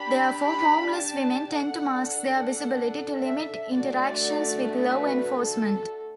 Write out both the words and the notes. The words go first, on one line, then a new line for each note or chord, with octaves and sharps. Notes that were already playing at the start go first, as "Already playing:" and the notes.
Therefore, homeless women tend to mask their visibility to limit interactions with law enforcement.
Already playing: D4 G4 B5
B5
A5
D4 A4 F#5
F#5
E5
A3 D4 F#4 D5
B4
A4